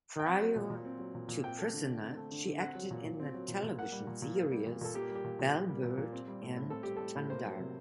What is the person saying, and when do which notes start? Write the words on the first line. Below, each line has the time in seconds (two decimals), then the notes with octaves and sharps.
Prior to "Prisoner" she acted in the television series "Bellbird" and "Tandarra".
0.19 G5
0.26 C4 F#5
0.41 F#3
0.56 A#2
0.70 A#2
0.85 C4
0.99 F#3
1.15 A#2
1.28 A#2
1.44 C4 G5
1.58 A3
1.73 D3
1.88 D3
2.02 C4
2.17 A3
2.32 D3
2.47 D3
2.61 C4 F#5
2.75 F#3
2.91 A#2
3.05 A#2
3.20 C4
3.34 F#3
3.48 A#2
3.63 A#2
3.79 A#3 F#5
3.92 G3
4.07 A#2
4.22 A#2
4.36 A#3
4.52 G3
4.66 A#2
4.81 A#2 A4
4.95 A#3 G4
5.09 G3
5.15 G4
5.24 A#2
5.39 A#2
5.54 A#3
5.69 G3
5.83 A#2
5.97 A#2
6.13 C4
6.27 G3
6.42 A2
6.56 A2
6.70 C4 A4
6.83 G3 G4
6.97 A2 A4
7.15 A2
7.30 A#3 C5
7.45 F#3
7.59 C3